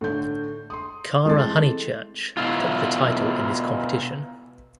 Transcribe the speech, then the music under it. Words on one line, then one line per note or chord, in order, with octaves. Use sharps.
Cara Honeychurch took the title in this competition.
A2 D3 G6
C6 D#6
E3 G#3 A3 C4 A4 A6
B2 E4 F4